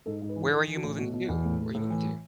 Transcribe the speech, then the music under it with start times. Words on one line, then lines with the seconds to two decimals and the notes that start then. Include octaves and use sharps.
Where are you moving to? Where you moving to?
0.06 G#2 A4
0.22 G#2
0.29 B4
0.36 E3
0.52 E3 A4
0.68 E3
0.76 F#4
0.84 A2
0.98 B2 F#4
1.13 B2
1.29 E2
1.45 A2
1.59 A2
1.75 A2
1.90 E3